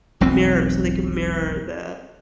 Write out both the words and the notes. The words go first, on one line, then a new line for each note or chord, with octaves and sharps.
mirror so, they can mirror the
E1 B1 F2 C4